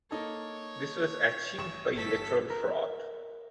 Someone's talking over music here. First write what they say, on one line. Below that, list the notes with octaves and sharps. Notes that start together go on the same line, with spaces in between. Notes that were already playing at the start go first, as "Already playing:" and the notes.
This was achieved by electoral fraud.
A#3 D#4 A4 C#5
A1 C#6 E7
G1 A4 B6
A#4